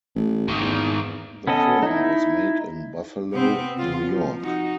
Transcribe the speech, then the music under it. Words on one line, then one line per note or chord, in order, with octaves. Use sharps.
The film was made in Buffalo, New York.
A1
G#2 D#3
E2
B3 C#4 A4 D#5
D#4 E4
C3 B3 C4
C#3 F4
F3
D#4 F#4